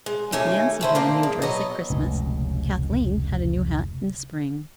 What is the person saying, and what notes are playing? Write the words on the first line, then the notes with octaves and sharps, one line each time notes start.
If Nancy had a new dress at Christmas, Kathleen had a new hat in the spring.
G#3
D#2 D#3 A3 A#3 C#4 G#5
A3 E4 C5
F3 A#3 D4
G#2
F#3 B3 D#5
F1 C#2 B2